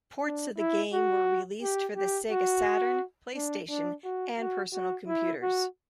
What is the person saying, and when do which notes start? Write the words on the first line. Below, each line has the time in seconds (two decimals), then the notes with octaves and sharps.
Ports of the game were released for the Sega Saturn, PlayStation and personal computers.
0.23 D4
0.58 E4
0.92 F#4
1.62 G4
1.96 G4
2.31 F#4
3.34 D4
3.69 D4
4.04 F#4
4.38 F#4
4.72 F#4
5.07 E4
5.42 F#4